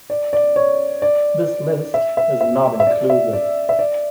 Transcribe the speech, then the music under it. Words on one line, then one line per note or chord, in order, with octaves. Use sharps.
This list is not inclusive.
D5
D5
C#5
D5
E5
E5
E5
E5
D5
E5
D5
E5
D5